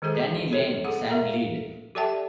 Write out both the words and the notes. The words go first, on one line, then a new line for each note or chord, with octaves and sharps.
Denny Laine sang lead.
D#3 G#3 G#4 A4 C5
G#4
A4 C#5
G#4 A4 F#5
A#4 E5 F5 A#5
G4 A4 D5 E5 G5 A5